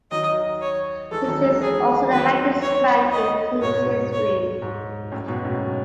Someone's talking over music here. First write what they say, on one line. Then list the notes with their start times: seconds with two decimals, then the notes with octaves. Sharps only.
This is also the highest rank in team's history.
0.11 D#3 F#3 D#5
0.61 C#5
1.11 E3 G#3 A4
1.28 D#3 F#3
1.45 E3 G#3
1.61 G#4
2.11 D#3 F#3 B4
2.61 C#5
3.11 D#5
3.61 G#2 B2 C#5
4.12 C#5
4.62 G#2
5.12 F#2 A2
5.28 G#2 B2
5.45 F#2 A2